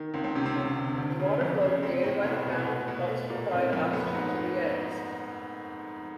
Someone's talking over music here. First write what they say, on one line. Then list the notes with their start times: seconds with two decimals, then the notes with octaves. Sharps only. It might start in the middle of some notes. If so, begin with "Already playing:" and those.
The water flow created by the mound helps to provide oxygen to the eggs.
Already playing: D#3
0.14 C#2 C4
0.24 C4
0.35 C3 C#4
0.46 C4
0.56 E1 C#4
0.77 D2
0.98 D2
1.20 C#3
1.41 F2
1.62 C#3
1.83 A3 C4
2.03 A2 C4
2.25 C2 B3
2.46 B2
2.67 A3
2.88 B2
3.09 A3
3.30 A#2
3.51 F#1 C4
3.72 F2 C4
3.93 A3 B3
4.15 G#2